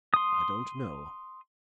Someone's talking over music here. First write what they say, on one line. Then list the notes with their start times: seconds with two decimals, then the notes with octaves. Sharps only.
I don't know.
0.14 C6 D#6